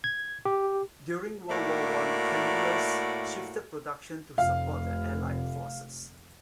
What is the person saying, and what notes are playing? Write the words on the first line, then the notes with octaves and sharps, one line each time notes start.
During World War One, Camillus shifted production to support the Allied forces.
G#6
G4
A2 A#3 F#4 A#4 D5 E5
F1 F5